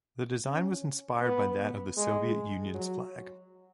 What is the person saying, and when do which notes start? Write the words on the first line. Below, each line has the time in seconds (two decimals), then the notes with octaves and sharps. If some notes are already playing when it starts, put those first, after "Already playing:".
The design was inspired by that of the Soviet Union's flag.
0.45 C#4
1.21 B3
1.97 G#3
2.74 F#3